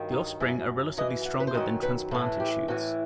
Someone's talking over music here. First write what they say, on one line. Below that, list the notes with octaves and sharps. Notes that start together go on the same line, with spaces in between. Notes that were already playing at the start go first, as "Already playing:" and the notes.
The offspring are relatively stronger than transplanted shoots.
Already playing: G2 D#3 F#3
D#4
F#2 F#3 E4
F#2 E3 D#5
F#5
B4
C5
F#2 D#3 F#3 D#5
B4
A2 E3 A4
G4
A2 E3 F#4